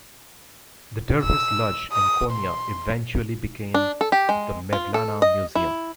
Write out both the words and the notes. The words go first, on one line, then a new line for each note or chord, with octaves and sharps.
The Dervish lodge in Konya eventually became the Mevlana Museum.
E6
D#6
C6
D4
A4
G4
G#3
F4
A4
D#5
E4